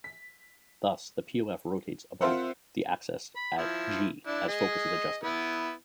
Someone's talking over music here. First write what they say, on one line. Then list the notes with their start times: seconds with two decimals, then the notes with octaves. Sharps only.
Thus the PoF rotates about the axis at G as focus is adjusted.
0.04 B6
2.21 C4 F4 A#4 C5 E5 F#5
3.36 B5
3.58 F3 E4
4.27 D4 E4
4.48 G#4 D#5
5.24 B3 E4 B4